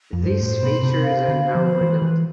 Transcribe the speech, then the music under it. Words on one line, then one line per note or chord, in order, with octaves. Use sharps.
These features are now redundant.
F2
G2 C5
A2 C5
B2 B5
C3 C5
F5
B5
D3
C5
F3
B5
E3 B4
E3 B4